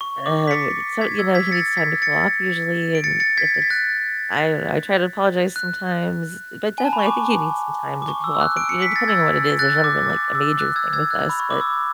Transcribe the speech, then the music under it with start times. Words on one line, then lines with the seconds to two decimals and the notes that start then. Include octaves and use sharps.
uh, what it so, you know, he needs time to cool off usually, and if it's I don't know, I try to apologize sometimes, d but, definitely, I think he needs some time to cool off, and, you know, depending on what it is, there's never been, like, a major thing with us, but
0.01 C#6
0.26 D6
0.47 B6
0.51 A6 C#7
1.01 G#6 B6
1.19 E6 G#6
1.35 G#6 B6
1.48 B6
1.51 A6 C#7
1.77 G#6 B6
2.02 A6 C#7
2.95 D7
3.04 A6 C#7
3.20 A6 C#7
3.38 G#6 B6
3.54 A6
3.62 B6
3.70 F#6 A6
5.56 F#6
6.78 G#5
6.85 A5
6.93 B5
6.99 C#6
7.06 D6
8.02 D6
8.08 C#6
8.24 E6
8.35 E6
8.41 F#6
8.57 D7
8.69 C#7
8.82 B6
8.96 A6
9.08 E6 G#6
9.59 F#6 A6
9.84 D6
10.10 D6
10.35 E6
10.59 F#6
10.76 E6 G#6
10.93 E6 G#6
11.11 F#6
11.29 B5
11.40 C#6
11.50 D6
11.61 E6